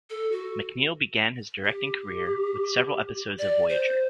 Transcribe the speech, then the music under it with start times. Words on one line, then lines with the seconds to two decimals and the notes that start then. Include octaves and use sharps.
McNeill began his directing career with several episodes of "Voyager".
0.10 A4
0.32 F#4
1.64 G4
3.39 D5
3.69 C5